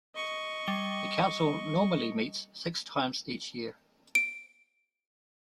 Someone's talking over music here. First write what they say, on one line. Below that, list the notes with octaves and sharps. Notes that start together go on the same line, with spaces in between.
The Council normally meets six times each year.
D#5 C#6
G3 G7
D7